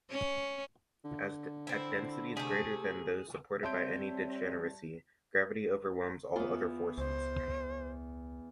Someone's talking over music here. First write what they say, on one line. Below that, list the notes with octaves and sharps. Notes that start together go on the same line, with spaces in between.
At densities greater than those supported by any degeneracy, gravity overwhelms all other forces.
C#4
D3
C4 E4
C3 A3 G#4
G3 C4 C#5 E5 A5 C6 G6 D7
E2 B3 F4
C#2 C5